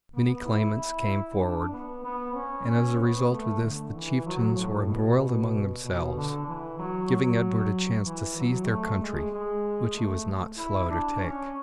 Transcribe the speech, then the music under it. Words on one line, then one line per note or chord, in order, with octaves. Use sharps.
Many claimants came forward, and as a result of this the chieftains were embroiled among themselves, giving Edward a chance to seize their country which he was not slow to take.
B3
E4
D4
B3
B3
C#4
C#4
B3
A3
D3
E3
F#3
A2
B2
B2
D3
E3
F#3
F#3
E3
F#3
A3
G#3
G#3
A3
E4
D4
C#4